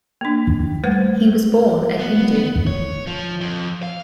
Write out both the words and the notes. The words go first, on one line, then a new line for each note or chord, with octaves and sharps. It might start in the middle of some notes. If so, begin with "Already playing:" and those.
He was born a Hindu.
A#3 D4
G3 A3 B4 C5 F#5
B3
C#5
F3
F2
F5